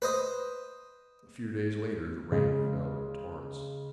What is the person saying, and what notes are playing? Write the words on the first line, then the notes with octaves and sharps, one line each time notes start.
A few days later, the rain fell in torrents.
B4 C5 D#5
C#3 G#3